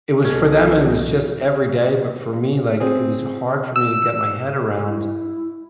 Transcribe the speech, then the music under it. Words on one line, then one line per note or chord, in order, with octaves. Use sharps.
it was for them it was just every day, but for me, like, it was hard for me to get my head around,
C2 B2 F3 C#4 A4
C4 G#4
E6
E4